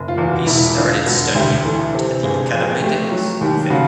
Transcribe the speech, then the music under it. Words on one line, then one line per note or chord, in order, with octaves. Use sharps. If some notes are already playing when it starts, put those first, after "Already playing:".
He started studying art at the "Academie des Arts" in Fes.
Already playing: F#1
F4
E2
F#4
E1 E4
D3 F4
E1 F#4
D2 G4
E3 A4
C3 A4
G1 G#4
F2 G#4
A3 G4
F#3
D#2 G4
C#3 F#4